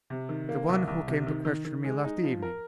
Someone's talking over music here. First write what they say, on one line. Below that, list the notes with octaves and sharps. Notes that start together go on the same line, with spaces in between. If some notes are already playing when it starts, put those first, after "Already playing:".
"The one who came to question me last evening."
C3
D#3
A#3
C2
C2
C3
D#3
D#3
D#3
G#3
D#4
F3
A#4